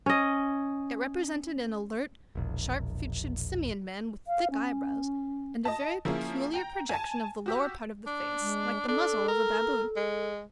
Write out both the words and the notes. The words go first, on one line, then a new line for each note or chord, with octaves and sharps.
It represented an alert, sharp-featured simian man, with thick eyebrows and a very peculiar projection of the lower part of the face, like the muzzle of a baboon.
C#4 D#5
E1 A#1
F5
C#4
D#5 A5
F3 A#3 C#4 E4 F4 G#4
G5 A#5
G#5 A5
F#4 G4 E6
D4
G#3
D4 A4
A#4
G#3